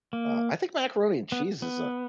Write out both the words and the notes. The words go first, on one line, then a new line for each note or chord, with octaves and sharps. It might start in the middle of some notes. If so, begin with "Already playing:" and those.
Uh, I think macaroni and cheese is a
A#3
B3
B3